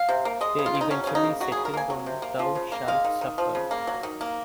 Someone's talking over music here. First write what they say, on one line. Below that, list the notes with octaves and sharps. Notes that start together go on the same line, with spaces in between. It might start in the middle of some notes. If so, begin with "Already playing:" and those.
They eventually settled on Thou Shalt Suffer.
Already playing: F5
C3
A#3
G#3 D#5
C#3
F4
C#3
D#4
F#3 C#4
C#3 C#4
D#4
A#3
F#3 F#4
G#4
C#3
A#4
A#3 G#5
F#3
C3
A#3
F3
C#3
A#3
G#3 F5
D#3
D#3
F3
C#3
A#3
F#3
D#3
A#3